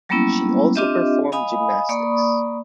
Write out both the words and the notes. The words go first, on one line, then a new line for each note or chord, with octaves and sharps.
She also performed gymnastics.
F#3 G3 A#3 B3 C#4 E4
C4 D4 F4 G4 D#5 E5
D#5 F5 G#5 B5 D#6
A#3 D5 B5 C#6 D#6